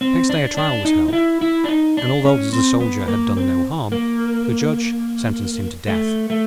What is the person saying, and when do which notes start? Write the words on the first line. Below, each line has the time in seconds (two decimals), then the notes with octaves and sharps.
Next day a trial was held, and although the Soldier had done no harm, the Judge sentenced him to death.
0.01 C4
0.29 D4
0.57 D4
0.85 D#4
1.08 D#4
1.13 E4
1.41 E4
1.64 D4
1.69 D#4
1.97 D4
2.25 C#4
2.53 C4
2.81 B3
3.08 A#3
3.37 C4
3.92 A#3
5.88 A3
6.30 A3